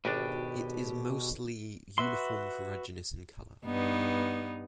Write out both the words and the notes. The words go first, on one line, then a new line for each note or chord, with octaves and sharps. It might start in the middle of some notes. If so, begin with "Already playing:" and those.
It is mostly uniform ferruginous in color.
G#1 B2 D4 G4
F#4 B4 E5 C6
G2 B3 D#4